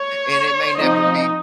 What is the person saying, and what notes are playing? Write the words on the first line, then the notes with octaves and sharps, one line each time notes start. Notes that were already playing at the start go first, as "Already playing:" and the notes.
and it may never be, m
Already playing: C#5
F3 C4 D#4 D#5